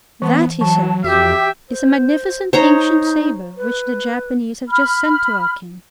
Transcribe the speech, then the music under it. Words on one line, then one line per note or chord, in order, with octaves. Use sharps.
"That," he says, "is a magnificent ancient sabre which the Japanese have just sent to our King."
E3 B3 A5 C6
E3 F#3 A5
F2 F#4 G4 E5
C5
D#4 C5 C#5 A#5
B4
B5 F6